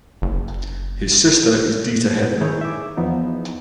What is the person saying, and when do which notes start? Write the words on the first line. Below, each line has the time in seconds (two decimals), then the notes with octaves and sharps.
His sister is Deta Hedman.
0.22 F#1
2.41 D#3 E4 G#4 C#5 G6
2.61 E5 D6
2.97 E2 F3 B3 D#4